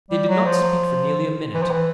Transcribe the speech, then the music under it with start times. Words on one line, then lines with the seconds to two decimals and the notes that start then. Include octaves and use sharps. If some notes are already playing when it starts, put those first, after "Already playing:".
They did not speak for nearly a minute.
0.11 G3
0.28 F#3
0.46 F3
1.54 E3
1.62 F3
1.70 E3